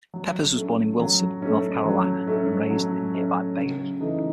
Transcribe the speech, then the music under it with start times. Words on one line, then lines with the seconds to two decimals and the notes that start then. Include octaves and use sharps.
Peppers was born in Wilson, North Carolina, and raised in nearby Bailey.
0.14 F#3
0.56 A3 C#4
0.99 F#3
1.42 A3 C#4
1.85 F#3
2.28 A3 C#4
2.70 F#3
3.14 A3 C#4
3.56 C#3
4.00 E3 A3 D#4